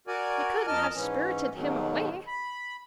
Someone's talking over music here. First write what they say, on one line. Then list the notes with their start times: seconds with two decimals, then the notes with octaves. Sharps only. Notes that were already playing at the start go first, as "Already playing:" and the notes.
"They couldn't have spirited him away."
0.07 F#4 A#4 D5 G#5
0.67 F2 A#4 D#5 A5 F6
0.94 G#2 E3 C#4
1.54 D#2 G#2 B2 D#3 F#3
2.27 B5